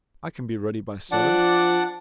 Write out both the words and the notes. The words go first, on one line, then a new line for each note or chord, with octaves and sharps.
I can be ready by seven.
F3 D4 D5 F#5